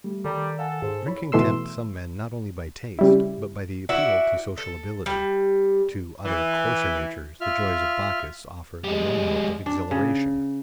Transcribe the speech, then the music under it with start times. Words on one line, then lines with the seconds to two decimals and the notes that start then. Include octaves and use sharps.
Drinking tempts some men not only by taste, but by the appeal to sociability; to other coarser natures the joys of Bacchus offer the one hope of exhilaration.
0.04 G3 A3
0.25 D#3 G3 A4 D5 A#5
0.59 A4 F5 F#5 G#5
0.82 G#2 G#4 C5
1.06 E4 C#5 B5
1.32 B2 E3 A3 C6 E6
2.99 C#3 G3 E4
3.89 E4 F#4 D5 E5
4.58 A4
5.06 G3
6.26 E3
7.41 F4 E5 F6
8.84 G3 G#3
9.66 D4
9.91 C#3